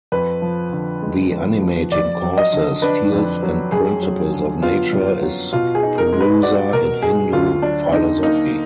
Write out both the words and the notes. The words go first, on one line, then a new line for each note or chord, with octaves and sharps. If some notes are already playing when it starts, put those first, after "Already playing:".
The animating causes, fields and principles of nature is Purusa in Hindu philosophy.
F2 B4
F3
D3
G#3
F2
F3
F2 D5
F#3
D#5
D3
D4 B4
F2
F#3
F#2 G#4
F#3
D3
B3 F4
F#2
F#3
B2 F4
G#4
D#4
A#4
G#3
B4
F#4 D5
B2 A#4
D#4 G#4
D2 F4
F#3 D4
D3 D#4
A#3 D#4